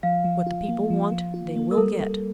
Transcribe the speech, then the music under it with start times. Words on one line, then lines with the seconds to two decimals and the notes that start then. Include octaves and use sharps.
What the people want they will get.
0.03 F3 F5
0.24 F3
0.47 F4
0.69 A#3
0.90 F3
1.12 F3
1.34 F4
1.56 A#3
1.71 A#4
1.78 G3 A4
2.00 G3